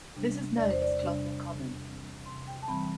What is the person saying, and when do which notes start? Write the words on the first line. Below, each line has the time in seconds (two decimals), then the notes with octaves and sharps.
This is known as Clothall Common.
0.16 C3 G3 D4
0.57 E2 D5
0.71 C5
0.82 D5
0.99 C3 G3 D4
1.42 C3
1.85 E3 G3 C4
2.26 C3 C6
2.48 G5
2.63 A5
2.68 E3 G3 C4 B5